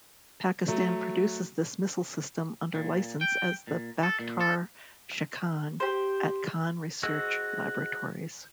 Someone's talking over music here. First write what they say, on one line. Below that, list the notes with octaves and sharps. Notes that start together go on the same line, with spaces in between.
Pakistan produces this missile system under licence as the Baktar-Shikan at Khan Research Laboratories.
F#3 A3
A#2
G5
A#2
A4
A#2
A4
G4 C5
F#4 G#4 C5 D#5 E6